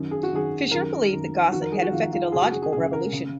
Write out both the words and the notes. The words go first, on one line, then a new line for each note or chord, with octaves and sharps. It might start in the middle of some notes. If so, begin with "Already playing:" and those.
Fisher believed that Gosset had effected a "logical revolution".
Already playing: F#2 D#3
G#4
F#4
F#2 D#3 G#4
F#2 D#3 A#4
F#2 D#3
F2 D#3 F#4
A#4
G#4
F#4
F2 D#3 F4
F4
F#2 C#3 G#4
F#4
G#4
G#4
F#2 C#3 G#4
A#4
C#3